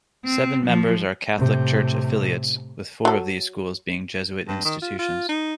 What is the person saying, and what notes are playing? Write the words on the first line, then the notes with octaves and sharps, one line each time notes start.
Seven members are Catholic Church affiliates, with four of these schools being Jesuit institutions.
C4
F3
A2 C3
F#3 A4
G2
D#3
F4
F4
D#4